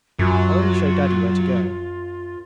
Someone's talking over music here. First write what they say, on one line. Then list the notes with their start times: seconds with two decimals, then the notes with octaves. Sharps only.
I'll only show Daddy where to go.'
0.19 F#2 F#3 F4